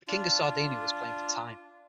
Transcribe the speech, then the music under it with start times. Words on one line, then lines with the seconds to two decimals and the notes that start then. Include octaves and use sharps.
The King of Sardinia was playing for time.
0.08 D4 F4